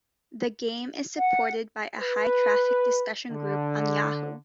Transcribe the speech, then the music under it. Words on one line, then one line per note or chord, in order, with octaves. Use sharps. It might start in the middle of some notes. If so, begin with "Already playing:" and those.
The game is supported by a high-traffic discussion group on Yahoo!
F#5
B4
D3